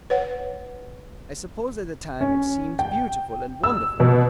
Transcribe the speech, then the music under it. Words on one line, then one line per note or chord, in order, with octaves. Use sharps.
I suppose at the time it seemed beautiful and wonderful....
B4 C#5 F#5
C#4
G5
E6
B2